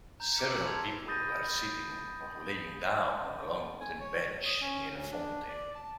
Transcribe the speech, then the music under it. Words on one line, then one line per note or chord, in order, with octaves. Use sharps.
Several people are sitting or laying down on a long wooden bench near a fountain.
A#5 G6
D6 F6 B6 C#7 E7
C6 E6 A6 F#7
A5 B5 G#6 F7
B5 D#6 G6 A6 A#6 D#7
G#5
C#5
D#6
C#4
D2
D4
D5
A5